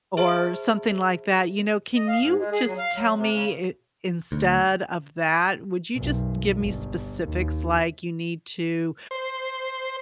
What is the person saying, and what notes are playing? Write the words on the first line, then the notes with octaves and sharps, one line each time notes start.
or something like that, you know, can you just tell me, i instead of that, would you just give me specifics like you need to,
G#4 C5 E5 A5 B5
D#5
F5
G#2
G#3
G#4
F#3
F5
F#3
C3
C#3
D2
B1 F#2
G1
D#2
C5